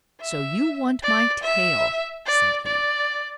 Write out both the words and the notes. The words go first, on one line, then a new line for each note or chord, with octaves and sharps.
"So you want my tail?" said he.
E5
D5
E5
D5
D5